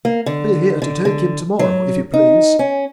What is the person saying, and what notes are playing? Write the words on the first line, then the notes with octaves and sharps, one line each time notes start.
Be here to take him to-morrow, if you please.
A#3
D3
D3
D3
F#3
D#4
C#4